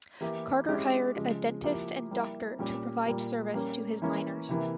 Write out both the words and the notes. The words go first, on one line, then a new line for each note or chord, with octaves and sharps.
Carter hired a dentist and doctor to provide service to his miners.
E3 A#3 E4 G4
G#3 C#4 E4 G4
C#3 F3 G#3
F3 A#3 E4 G4
G3 A#3 E4
A#2 G3 C#4 G4
A#2 G3 A#3
G3 A#3 C#4
E3 A#3 C#4
C3 E3 A#3